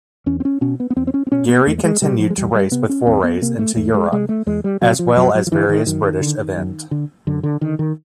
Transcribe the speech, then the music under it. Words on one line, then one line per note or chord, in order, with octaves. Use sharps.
Gerry continued to race with forays into Europe, as well as various British event.
E2 C#4
C4
C#4
B2 C#4
B3
B3
E2 C4
C4
C#4
C4
B2 C#4
B3
E2 A3
A3
G#3
B2 G3
F3
G#3
E2 G3
G3
C3 B3
C#4
E2 C4
B3
C3 A#3
A3
E2 A3
G#3
C3 G#3
A3
E2 G#3
G3
C3 F#3
F3
F#2 F#3
F#3
F3
D3 E3
D#3
F#2 D#3
D3
F#2
D3
F#2 D3
D3
D3 D#3
D#3